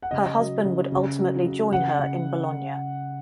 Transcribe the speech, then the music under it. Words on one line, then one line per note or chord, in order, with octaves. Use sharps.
Her husband would ultimately join her in Bologna.
F#5
C#3 D#5
F#3
C#3
C#3
F#3
C#3
C#3 F#5
C#3